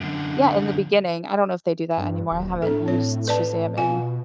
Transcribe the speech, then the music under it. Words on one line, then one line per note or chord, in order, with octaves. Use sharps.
Yeah, in the beginning, I don't know if they do that anymore, I haven't used Shazam in
F#2 D3
G2
D#1
A2 D4 A4
C4 C#5
B4 D5 A5
B2 F4 F5 G#5